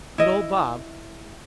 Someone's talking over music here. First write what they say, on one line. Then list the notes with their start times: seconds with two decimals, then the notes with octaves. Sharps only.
Good old Bob!
0.18 E4 D#5